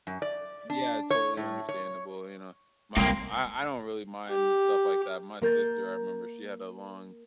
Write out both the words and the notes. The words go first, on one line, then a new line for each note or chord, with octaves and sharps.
Yeah, totally understandable, you know my I I don't really mind stuff like that. My sister, I remember, she had a long
F#2
D5
D4
C#5
A2
C#5
C2 A#3 C4
G4
A#3 A#4 G6 A6